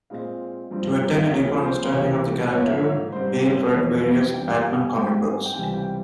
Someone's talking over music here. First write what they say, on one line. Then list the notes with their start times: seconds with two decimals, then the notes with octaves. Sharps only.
To attain a deeper understanding of the character, Bale read various Batman comic books.
0.10 A#2 G#3 C4 F5
0.71 G2 F3 C4
1.14 F5
1.22 E5
1.31 C#2 C#3 F3 A#3 C#5
1.62 C5
1.84 C5
1.92 C#2 C3 E3 A#3 C#5
2.52 G#2 F3 A#3 C#5
2.66 E5
2.79 C#5
3.12 G#2 G3 C4 C5
3.42 C#5
3.73 F2 E3 G#3 C4 C#5
4.03 F5
4.33 G2 E3 G3 G5
4.49 F5
4.64 G5
4.79 G#5
4.94 G#2 G3 C4 G5
5.23 G#5
5.46 G5
5.54 C#2 C3 E3 G3 C4 G#5
5.74 G5